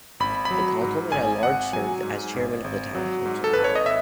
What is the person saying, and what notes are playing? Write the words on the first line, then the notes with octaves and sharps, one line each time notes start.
The councilman at large served as chairman of the town council.
G#1 B5
B5
F#3
G#2
G#1 G#5
G#1 F#5
F#3 G#5
G#2
G#1
G#1
F#3
G#2
A4
G#1 B4
C#5
D#5
E5